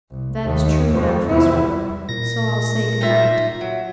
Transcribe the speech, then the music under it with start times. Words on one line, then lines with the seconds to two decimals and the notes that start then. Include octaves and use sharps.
"That is true enough, Mr. Berwin, so I'll say good-night!"
0.11 C2
0.42 D#2
0.91 F2 F3
1.27 E2 E4
2.09 A#2 A#6
3.01 D#4 F4 E5
3.61 F#3